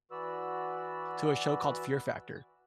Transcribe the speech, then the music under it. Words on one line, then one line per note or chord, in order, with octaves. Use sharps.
to a show called Fear Factor.
E3 F#4 B4 D5 E6